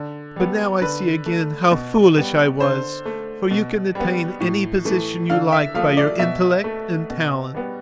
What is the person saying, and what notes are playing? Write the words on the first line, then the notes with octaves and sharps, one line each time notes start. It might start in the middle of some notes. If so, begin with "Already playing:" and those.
But now I see again how foolish I was, for you can attain any position you like by your intellect and talent.
Already playing: D3
G3 B3
D3 B4
A3
B2
G3 B3
D3 C5
A3
B2
G3 B3
A2
E3 A3
D3 F5
E5
F3 A3 F5
D5
B2 E5
A3
B2
G3 B3